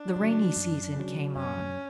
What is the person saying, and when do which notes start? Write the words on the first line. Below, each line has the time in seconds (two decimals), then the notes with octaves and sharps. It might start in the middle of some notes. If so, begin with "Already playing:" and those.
The rainy season came on.
Already playing: D4
0.16 C#3 F#3
0.56 F#2
0.96 C#3 F#3
1.36 F#2 C#4